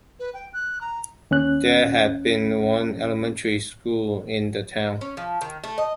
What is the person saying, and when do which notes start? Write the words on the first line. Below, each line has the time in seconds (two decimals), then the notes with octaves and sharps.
There had been one elementary school in the town.
0.19 B4
0.33 G5
0.53 F#6
0.81 A#5
1.31 D#2 C#4 F#6
5.01 C#4
5.17 F3
5.41 D#3
5.64 A3
5.78 D#5